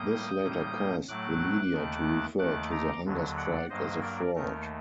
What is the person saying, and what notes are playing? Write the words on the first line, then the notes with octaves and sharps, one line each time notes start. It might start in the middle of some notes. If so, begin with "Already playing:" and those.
This later caused the media to refer to the hunger strike as a fraud.
Already playing: A2 G3 A#3 D#6 G6
A2 G3 A#3
A2 F#3 A3 D6 F#6
D#2 D#3 A3
D#2 D#3 A3 D6 F#6
A#5 D6
D#2 D3 F#3
D5 F#5
G2 F#3 A#3 C5 D#5
A#4 D5
D#2 D#3 A3 A#4